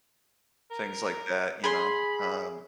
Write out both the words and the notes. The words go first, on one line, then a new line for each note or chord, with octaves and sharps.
things like that, you know, um,
A#4
G#4 B5 C6